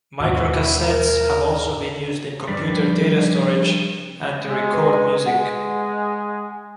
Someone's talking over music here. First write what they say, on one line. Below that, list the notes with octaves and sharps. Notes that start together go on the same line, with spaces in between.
Microcassettes have also been used in computer data storage and to record music.
D#2 G#2 B2 F#4
E4
A#4
F3 G3 D4 B4 D5
G#3
B4
G#3 F#5